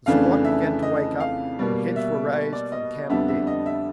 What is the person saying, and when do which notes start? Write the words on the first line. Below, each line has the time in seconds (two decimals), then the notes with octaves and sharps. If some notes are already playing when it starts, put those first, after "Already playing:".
The squad began to wake up, and heads were raised from camp beds.
0.06 F2 C#3 E3 A3 D4 F5
0.45 E5
0.83 D#5
1.20 F5
1.59 B2 G3 A#3
1.96 E5
2.53 D5
2.72 D#5
3.10 F2 D3 G3 B3 D4 E5
3.28 E5
3.47 D#5
3.66 E5